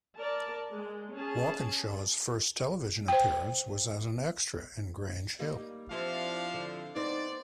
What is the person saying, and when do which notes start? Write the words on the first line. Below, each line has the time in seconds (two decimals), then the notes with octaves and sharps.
Walkinshaw's first television appearance was as an extra in "Grange Hill".
0.16 A#4 D5 A5
0.74 G#3
1.14 C#4 G#4 A5
3.08 C5 G5
5.39 G3 A#3 D#4
5.91 F3 C4 D4 E4 G4 D5 F5
6.54 D3
6.96 B3 C4 D#4 D5